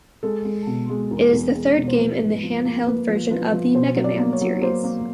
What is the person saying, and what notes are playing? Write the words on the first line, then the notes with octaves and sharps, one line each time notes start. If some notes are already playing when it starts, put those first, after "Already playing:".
It is the third game in the handheld version of the "Mega Man" series.
G#3 A4
G#3
B2
G#3
E2 A#4
E2
G#3
B2
C5
F3 B4
G#2
F3
A#3
A#3 B4
F3
F3 B4
F3
B2 C5
F#3
D5
A#3
C#5
F#3
A#3 C5
A#3